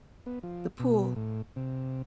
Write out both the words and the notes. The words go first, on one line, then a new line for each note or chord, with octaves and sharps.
the pool,
B3
F3
B2
A2
C3